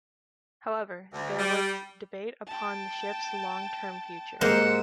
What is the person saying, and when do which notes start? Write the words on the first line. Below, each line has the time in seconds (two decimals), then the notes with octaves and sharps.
However, there was debate upon the ship's long-term future.
1.13 D2
1.38 G3
2.47 G5 A5
4.41 G#2 A#3 G4 A#4 C5 F#5 E6